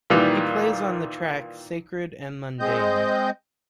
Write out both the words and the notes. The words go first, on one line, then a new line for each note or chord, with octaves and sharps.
He plays on the track "Sacred and Mundane".
A#2 D#3 E3 G3
G#3 C4 D#5 G6